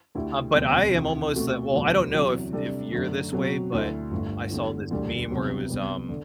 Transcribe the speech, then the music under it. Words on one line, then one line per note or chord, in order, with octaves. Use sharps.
Um, but I am almost well, I don't know if if you're this way, but I saw this meme where it was, um,
D2 D3 A3 E4 G4
E1 D2 C3 G3 B3
D2 C3 E3
B2 A3 C4 F#4 A4
E1 D2 D3 F#3 B3
E2 C3 F#3
C3 G3 D4 A4
F#2 D3 A3
B2 F#3 C4 F#4
D2 D3 A3 E4 A4
G1 G2 D3 A3
E2 D3 G3
E1 D2 D3 G3
C2 C3 F#3 B3
C2 C3 G3 B3
D3